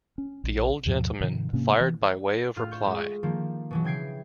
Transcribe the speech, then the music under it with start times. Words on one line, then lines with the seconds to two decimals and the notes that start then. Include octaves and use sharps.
The old gentleman fired by way of reply.
0.18 C#4
0.44 A#1
0.86 D#2 G#2 B2 F3
1.21 G#2 C3 D#3 F3
1.53 G#2 C3 A#3 C#4
1.80 E3
2.56 A2 F4 F6
2.71 C#6 G6
2.86 G#3
3.23 D#3 F3 A#3
3.71 B2 E3 F#3
3.84 C#3 G5 G#6 C7 D7